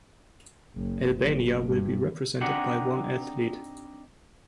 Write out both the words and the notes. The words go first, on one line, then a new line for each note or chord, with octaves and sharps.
Albania will be represented by one athlete.
F#1
F#1
G2
C4 D4 D#4 F#5